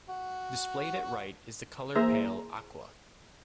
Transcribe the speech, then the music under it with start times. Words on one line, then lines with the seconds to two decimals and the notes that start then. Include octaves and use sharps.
Displayed at right is the color pale aqua.
0.09 F#4
1.95 E3 A#3 G#4 C5 E5 A#5